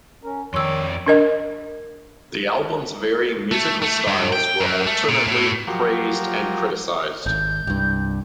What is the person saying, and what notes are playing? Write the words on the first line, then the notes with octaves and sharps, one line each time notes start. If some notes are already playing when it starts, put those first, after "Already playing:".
The album's varying musical styles were alternately praised and criticised.
C#4 A#4
F2 D#3 C#5 D5 C6 E6
D4 A#4 D#5
A3
A3
G2
G5
F#2
A3
A#2
A2
F3 F#3 G4 A#4
G#1 G6
C2 G2